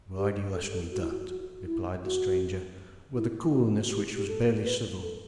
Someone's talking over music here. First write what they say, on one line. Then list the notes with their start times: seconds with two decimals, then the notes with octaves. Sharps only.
"Why do you ask me that?" replied the stranger, with a coolness which was barely civil.
0.17 G4
0.54 A4
0.74 A4
0.92 F#4
1.01 E4
1.10 F#4
1.29 F#4
1.66 E4
2.04 F#4
3.16 E4
3.53 F#4
3.90 G4
4.16 G4
4.28 A4
4.65 B4
5.02 A4